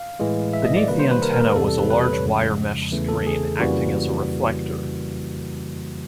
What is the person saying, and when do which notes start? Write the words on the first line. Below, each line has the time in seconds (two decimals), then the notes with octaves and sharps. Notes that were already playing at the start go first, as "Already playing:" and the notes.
Beneath the antenna was a large wire mesh screen acting as a reflector.
Already playing: F5
0.20 A2 E3 G#3
0.53 E5
0.65 D#5
0.77 D5
0.88 C3 D#3 G3 A#3 B4
0.99 C5
1.11 B4
1.23 A#4
1.33 A#4
1.55 E2 C3 E3 G3 A4
1.68 A4
1.78 B4
1.90 B4
2.01 B4
2.13 C#5
2.24 F2 C#3 F3 G#3
2.92 E2 C#3 E3 A3
3.09 A4
3.27 G#4
3.60 F2 C#3 E3 G3 A#3 F#4